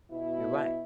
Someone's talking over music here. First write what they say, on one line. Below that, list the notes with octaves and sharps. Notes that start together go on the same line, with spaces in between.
You're right.
B2 E4